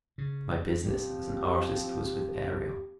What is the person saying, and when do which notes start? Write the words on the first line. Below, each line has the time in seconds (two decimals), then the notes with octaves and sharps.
My business as an artist was with Ariel.
0.18 C#3
0.85 F3 C4 G4